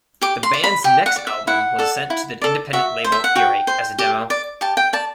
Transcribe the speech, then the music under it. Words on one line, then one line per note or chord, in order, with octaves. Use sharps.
The band's next album was sent to the independent label, Earache, as a demo.
G4 D6
C6
D5
B5
G4 G5
F#5
D5
E5
E4 F#5
A4 D5
E4
A4 D5
F#4 E5
C5
E5
F#5
F#4 G5
C5
G4
D5
G4 A5
G5
D5 A5